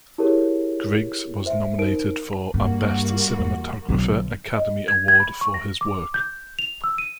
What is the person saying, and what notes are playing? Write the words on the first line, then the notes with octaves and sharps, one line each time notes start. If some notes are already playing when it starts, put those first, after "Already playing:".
Griggs was nominated for a Best Cinematographer Academy Award for his work.
E4 G4 G#4 A#4 C#5
C5 E5
D#4 A#4 C5 D7
G2 G3 A#3 F#4
E2
B1 D3 F#3
D#5
G#6
G#6
B5
C#6
A#6
D6
D6
G6
F7
E6
D#7